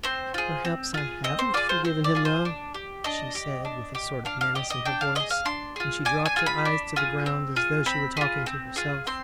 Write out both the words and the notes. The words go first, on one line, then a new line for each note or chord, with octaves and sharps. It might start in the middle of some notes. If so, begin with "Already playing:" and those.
"Perhaps I haven't forgiven him, though," she said, with a sort of menace in her voice, and she dropped her eyes to the ground as though she were talking to herself.
C4 C5
F4 G#4
C4
F4 G#4
C4 D#5
C5
F4 G#4 D5
C5
C4 C5
D5
F4 G#4
C5
D4
G4
D4 D#5
G4
D4
G4
D4 F5
F5
G4 D#5
D#5
D4 G5
F5
F4 G#4 D#5
F5
D4 C6
F4 G#4
D4 G#5
G#5
F4 G#4
B5
D4
F4 G#4
C4
F4 G#4
C4 B5
F4 G#4
C4
F4 G#4
C4 C6